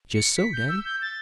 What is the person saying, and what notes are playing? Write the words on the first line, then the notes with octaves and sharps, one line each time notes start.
"Jist so, daddy."
C#7
B6
G6
E6
G6
A6